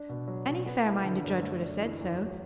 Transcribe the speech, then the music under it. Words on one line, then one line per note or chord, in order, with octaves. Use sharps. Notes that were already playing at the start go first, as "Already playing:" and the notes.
Any fair-minded judge would have said so.
Already playing: D4
B2
F#3
B2
B3
E4
D3
F#2
A3
D4
E3
E2
F#3